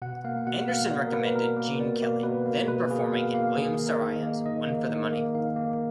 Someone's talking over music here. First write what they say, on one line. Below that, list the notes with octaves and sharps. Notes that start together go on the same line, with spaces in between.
Anderson recommended Gene Kelly, then performing in William Saroyan's "One for the Money".
B2 F#5
A#3 F5
B2 F#5
A#3 F5
B2 D5
A#4
A#3 B4
B2 A#4
A#3
B2 D5
A#3
B2 B4
A#3
B2 B4
A#3 G#4
B2 F5
A#3 F5
D#3 G#4
A#3
A#4
D#3
D#5
A#3
D#3 D#5
A#3
D#3
A#3
D#3 F5
A#3